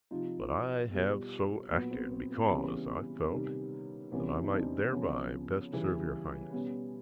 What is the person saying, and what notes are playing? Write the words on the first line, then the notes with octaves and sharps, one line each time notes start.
But I have so acted because I felt that I might thereby best serve your highness.
C3 F3 D#4 F4
B2 G3
A#2 F#3 B3
C4
C4
C4
C#3 E3 G3 B3 C#4
C3 D#3 G3
C3 E3 G3 B3 C#4
D#4
C4 D4
C#3 F3 B3 C#4
C#3 E3 G3
B2 G3 B3 C#4